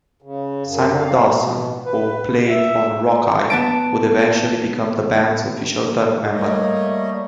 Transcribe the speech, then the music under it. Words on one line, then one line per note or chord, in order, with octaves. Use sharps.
Simon Dawson, who played on "Rockeye", would eventually become the band's official third member.
C#3
F#2
F5
B2
B4
E5
B3 A5 D7
G3 A3 A#3 C#5 D#5